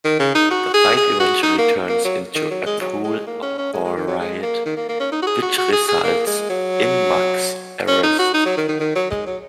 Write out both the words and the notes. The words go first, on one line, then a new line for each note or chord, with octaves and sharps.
The fight eventually turns into a pool hall riot, which results in Muggs's arrest.
D#3
C#3
D#4
F#4
G#4
G#4
F#4
D#4
A#3
A#3
F#3
D#3
F#3
G#3
F#3
G#3
A#3
C#4
C#4
G#3
G#3
D#3
F#3
G#3
A#3
D#3
A#3
A#3
C#4
D#4
F#4
G#4
F#4
F#4
G#4
G#4
A#3
G#3
F#3
C#4
D#4
F#4
D#4
F#3
D#3
D#3
D#3
F#3
G#3
F#3